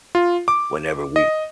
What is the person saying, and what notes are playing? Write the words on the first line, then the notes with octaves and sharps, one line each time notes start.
Whenever we
F4
D6
D#5